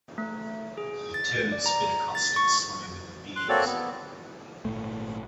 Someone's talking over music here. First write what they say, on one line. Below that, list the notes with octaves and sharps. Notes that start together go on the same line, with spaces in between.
The toad spit a caustic slime at the bees.
A3
G#4
A6
D5
A#5
A6
C#6
C6 F#6
A#3 C4 F#4 A4 C#5 D5
B3
G#1 A#2 A3